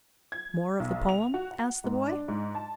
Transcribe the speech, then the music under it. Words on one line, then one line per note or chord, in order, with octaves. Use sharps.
"More of the poem?" asked the boy.
G#6
B1
F7
F#4
F#5
G#2
D4
G#2
A5